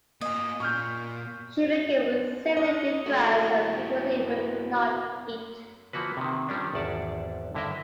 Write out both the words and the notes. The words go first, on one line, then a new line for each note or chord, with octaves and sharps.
She became severely depressed, and frequently would not eat.
A#3 D#5 G#5
A#2 C#6 F6 G6
D4 D#5
A3 A#3 E4 F#4
B3
B2
E3 F3 A#3 F#4 B4
C3 D#3
D#3 F3 G3 C#4 D4
G#1 E2 D5 F#5 A5
G2 D3 E4 A#4 D#5 E5